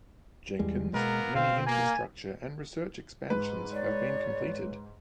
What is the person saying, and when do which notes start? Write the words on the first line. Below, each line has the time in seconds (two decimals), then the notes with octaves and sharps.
Jenkins, many infrastructure and research expansions have been completed.
0.59 E2 G3 G#3
0.93 B2 G#3 A#3 B3 A#4
1.35 B2 C4 F5
1.66 A#3 G#5
3.30 G#2 B4
3.74 C#5 D5